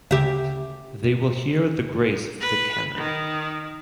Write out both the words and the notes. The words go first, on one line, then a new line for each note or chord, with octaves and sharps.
They will hear the grace of the cannon.
D2 C#3 G4 E5
B4
D#3